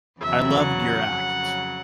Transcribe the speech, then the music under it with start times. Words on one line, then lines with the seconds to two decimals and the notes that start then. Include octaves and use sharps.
I loved your act.
0.20 E2 C#3 F#3 E5
0.63 F#5
1.07 F2 C#3 F#3